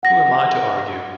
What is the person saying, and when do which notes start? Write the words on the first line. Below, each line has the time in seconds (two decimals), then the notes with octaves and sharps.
Who am I to argue?
0.03 F#5 A#6